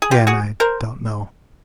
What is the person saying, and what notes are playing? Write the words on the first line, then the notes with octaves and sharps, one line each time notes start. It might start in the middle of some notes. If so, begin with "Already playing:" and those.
Again I don't know.
G#4
F4 G4
F#4 G#4
A#4 C5